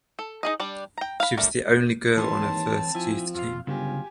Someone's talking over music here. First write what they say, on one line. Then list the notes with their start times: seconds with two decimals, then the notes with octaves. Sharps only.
She was the only girl on her first youth team.
0.19 A4
0.43 D#4 G#4 D#5
0.60 G3 D4 D5
0.98 G5 A#5
1.20 F5 B5
1.37 G3 A3 D4 A#4
2.16 D#2 E3 C4 B4 C#5 A5 C6
2.64 C4
2.95 F3 E4 G#5
3.35 F2 F4 F5
3.67 G1 C#3 F#3 F4 G4 G#5